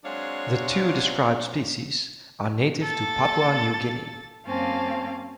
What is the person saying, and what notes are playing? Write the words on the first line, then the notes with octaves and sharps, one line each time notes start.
The two described species are native to Papua New Guinea.
F#3 G#3 C4 D4 C#5 F5
A#3 A4 A6
F#2 A#3 C4 C#4 F5 A5